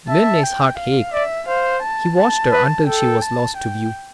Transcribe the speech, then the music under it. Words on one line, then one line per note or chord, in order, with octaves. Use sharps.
Linley's heart ached; he watched her until she was lost to view.
E5 A5
G5
F5
D5 E5
C5 F5
A5
A5
B4
A4 G5
A5
G5